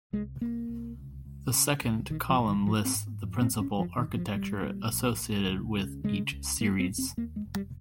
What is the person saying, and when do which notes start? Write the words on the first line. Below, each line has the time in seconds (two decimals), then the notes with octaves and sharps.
The second column lists the principal architecture associated with each series.
0.13 C2 G#3
0.41 C2 A#3
0.69 C2
0.98 C#2
1.25 C#2
1.54 C#3
1.82 C#2
2.10 A#1 D#3
2.29 F3
2.38 G#2
2.48 D#3
2.66 G#2 F3
2.85 C4
2.95 G#2
3.23 F2
3.41 C4
3.51 G1
3.61 C#4
3.79 F2 F3
3.98 D#3
4.07 G1
4.17 F3
4.35 A#1 G3
4.63 A#2
4.92 A#1
5.20 A#1
5.48 C#2
5.76 C#3
6.04 C#3 G#3
6.32 C#2
6.61 F1 A#3
6.80 C4
6.89 F1
6.98 C4
7.17 D#2 A#3
7.36 G#3
7.45 F1
7.55 G3